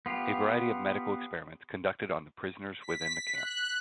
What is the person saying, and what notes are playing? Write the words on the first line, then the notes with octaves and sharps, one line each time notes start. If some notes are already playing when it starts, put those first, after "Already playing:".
A variety of medical experiments conducted on the prisoners within the camp.
B3 F4 G4
B6
F#6